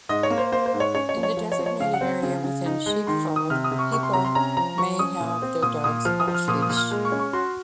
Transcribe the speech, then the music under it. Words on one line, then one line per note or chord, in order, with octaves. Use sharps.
In the designated area within Sheepfold, people may have their dogs off leash.
G#2 D#5
C#5
A#3
C5
A#3 C5
C5
G#2
C#5
C#4 C#5
C#5
F3
C#5
F3
C#5
F3
C#5
C#3 F5
F#5
C4
C#3
C#3
D#4
G#3
D#3 C6
D#3
D#6
C3 F6
D#6
C3
C#6
C3 C#6
C6
C3 A#5
C6
C#4 A#5
F3 A#5
F3 C#6
C#4 D#6
A#2
C4
A#2 D#6
A#2 D#6
F3 F6
D#6
F3
F6
A#2 D#6
D#6
A#2
F6
G#3
C#6
C#4
C#6
F#4 C6